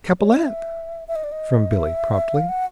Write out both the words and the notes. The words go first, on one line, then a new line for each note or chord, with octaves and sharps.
"Capellette," from Billie promptly.
C#5
D5
D#5
E5
E5
D#5
D5
D#5
E5
F5
F#5